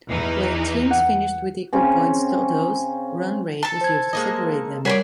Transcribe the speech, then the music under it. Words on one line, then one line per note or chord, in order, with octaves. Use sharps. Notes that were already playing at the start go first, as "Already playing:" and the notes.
Where teams finished with equal points totals, run rate was used to separate them.
E2 E3 D#4
F#5
C#3 C4 C#4
A4 A5
C5 G#6
G#3 A#3 D#5
G3 F#4 G#4 A#4 B4 C#5 D5 B6